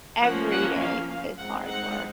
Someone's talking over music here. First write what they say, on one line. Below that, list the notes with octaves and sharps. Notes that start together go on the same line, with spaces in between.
every day, it's hard work.
F3 A#3 C#4 F#5
F#5
F5
F5
G#3 C4 D#4 F#5
F#5